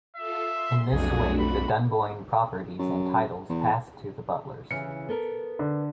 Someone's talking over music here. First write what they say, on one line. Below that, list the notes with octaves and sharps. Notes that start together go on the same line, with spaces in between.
In this way, the Dunboyne properties and titles passed to the Butlers.
F4 A4 E5 F5
C6
B1 F2 A3 D4 F#4 G#4
B5
F#2
E2
C#3 E3 C#7
B3 A4 A#4
D3